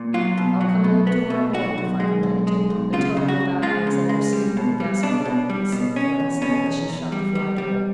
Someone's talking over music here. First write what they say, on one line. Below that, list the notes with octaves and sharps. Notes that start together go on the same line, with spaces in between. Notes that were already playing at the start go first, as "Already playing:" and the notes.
'I'll come along to-morrow morning if I can manage it, and tell you about Alexandra City and the Gas-Bore,' he said carelessly as she shut the fly door.
Already playing: A#2
F#3 F4
B2
F#3
B2
B3
B2
B1 F#4
B1
G#3
B1
G#3
B1
C#3 F4
C#3
F#4
C#2
G#3 F4
C#3
G#3
G3
B2
G3
B2 D4
B2
G3
B2
C#4
E2
B2 C#4
E2
E2
G3
G3
G3